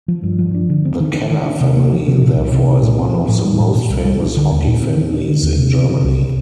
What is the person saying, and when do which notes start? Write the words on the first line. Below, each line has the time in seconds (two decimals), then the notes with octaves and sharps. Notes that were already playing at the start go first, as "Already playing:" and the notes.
The Keller family therefore is one of the most famous hockey families in Germany.
0.08 F3
0.23 G2
0.39 F3
0.54 D4
0.70 D3
0.85 C4
1.00 D#3
1.15 D4
1.30 D#3
1.46 D4
1.61 C3
1.76 A#3
1.92 F3
2.07 C3
2.22 A#2
2.37 C2
2.52 C3
2.67 C4
2.83 A#2
2.99 C4
3.14 F3
3.29 A2
3.45 G3
3.60 A2
3.75 A#2
3.90 C2
4.05 G3
4.21 D4
4.37 D3
4.51 D#2
4.67 A#2
4.83 C4
4.97 D#3
5.13 D4
5.28 D3
5.43 D#2
5.59 C3
5.73 C4
5.89 C3
6.04 C2
6.20 C3